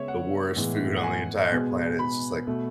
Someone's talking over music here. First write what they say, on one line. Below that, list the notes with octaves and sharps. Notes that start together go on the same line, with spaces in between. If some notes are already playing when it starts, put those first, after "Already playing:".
the worst food on the entire planet, it's just like,
Already playing: C#3 G#3 B3 C#5 E5
F#5
A2 E3 G#3 B3
F#5
G#5
B2 G#3 B3
B5
B2 A3